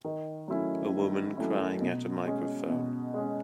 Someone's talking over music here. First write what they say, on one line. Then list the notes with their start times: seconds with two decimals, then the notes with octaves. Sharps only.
A woman crying at a microphone.
0.04 D#3
0.48 F#3 A3 C#4 E4
0.92 D#3
1.37 F#3 A3 C#4 E4
1.81 B2
2.25 G#3 C#4
2.70 B2
3.14 G#3 C#4